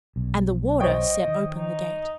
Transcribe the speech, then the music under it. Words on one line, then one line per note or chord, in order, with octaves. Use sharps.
And the Warder set open the gate.
B1
C5 C#5 D#5 G5
D#3
D#4